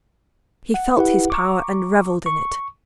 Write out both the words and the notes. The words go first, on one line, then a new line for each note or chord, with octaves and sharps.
He felt his power and revelled in it.
F#5
E4 G4 B4 F#5
A#5 C#6 D6
C#6